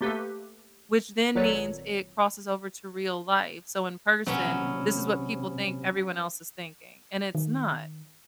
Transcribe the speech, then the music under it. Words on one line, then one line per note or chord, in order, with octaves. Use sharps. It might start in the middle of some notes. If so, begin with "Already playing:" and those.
which then means it crosses over to real life. So in person, this is what people think everyone else is thinking, and it's not,
A3 A#3 G4 A4 B4
G#1 A#2 F#3 A4 B4 C#5
D#1 A#1 C3 F#3 B3 C#4
D#3